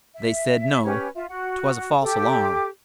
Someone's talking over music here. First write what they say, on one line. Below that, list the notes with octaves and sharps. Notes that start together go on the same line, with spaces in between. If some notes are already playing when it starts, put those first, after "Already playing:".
They said, no, 'twas a false alarm.
E5
C#4 G4 B4 C#5
F4 E5
F#4 F#5
G4 A4 D6